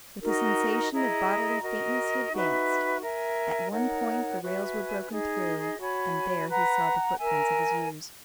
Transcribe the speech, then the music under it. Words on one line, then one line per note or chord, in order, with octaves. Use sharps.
With a sensation of bodily faintness he advanced: at one point the rails were broken through, and there he saw the footprints of his ewes.
D#4 F#4 A#4 D#5
E4 G#4 D#5 A#5
F#4 A#4 D#5
D#4 F#4 B4 E5
A#4 E5 G#5
D#4 A#4 C#5 F#5
F#4 B4 E5 G#5
D#4 G#4 D#5
F#4 C#5 G#5 B5
B4 F#5 A#5
A#4 E5 G#5